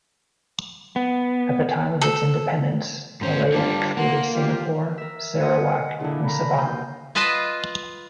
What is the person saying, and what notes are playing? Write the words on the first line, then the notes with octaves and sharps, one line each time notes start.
At the time of its independence, Malaya excluded Singapore, Sarawak and Sabah.
B3
A4
G#2 C#4 C5
D3 G3 D4 F4
A#3 F#5 C6
F4 G4
A#4 E5
A#4 D#5 F#5 G#5
A#2 D3 D4 E4 G#4
A#4 A#5 B5
D#2 B2 G6
F4 B4 D#5 A5 B5 C6